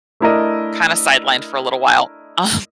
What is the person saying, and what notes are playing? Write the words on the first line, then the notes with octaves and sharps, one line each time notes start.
kind of sidelined for a little while. Um,
A3 D4 E4 A#4 D5 D#5